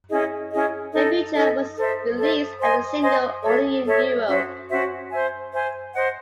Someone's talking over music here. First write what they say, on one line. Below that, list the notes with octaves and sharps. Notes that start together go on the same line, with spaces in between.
"The Future" was released as a single only in Europe.
C#4 E4 G#4 D#5
C#4 E4 G#4 D#5
D#4 A4 D#5
D#4 A4 D#5
A4 C5 E5
A4 C5 E5
C5 D#5 G#5 C6
C5 D#5 G#5 C6
A4 C#5 E5
A4 C#5 E5
C#4 F#4 C5 E5
C#4 F#4 C5 E5
C5 E5 G#5
C5 E5 G#5
C5 D#5 F#5